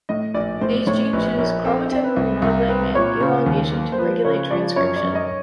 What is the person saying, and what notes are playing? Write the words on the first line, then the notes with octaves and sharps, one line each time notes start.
These genes use chromatin remodeling and elongation to regulate transcription.
A2 D#5
A#1 D5
A2 C5
A2 C#5
A#1 B4
A#1 A#4
C4 A4
C4
B4
C2
C2 A#4
C4 B4
A#2 C#5
C#3 C5
D#2
A#3
C5
F3 B4
C#3 C#5
F3 D5
F#2 C#5
D5
F#2
D#5